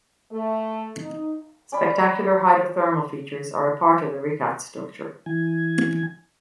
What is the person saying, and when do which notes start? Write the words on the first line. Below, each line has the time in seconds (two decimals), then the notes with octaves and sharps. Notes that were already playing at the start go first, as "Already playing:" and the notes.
Spectacular hydrothermal features are a part of the Richat Structure.
0.32 A3
0.99 D#4
1.72 C#4 D5 B5
5.26 E3 G#5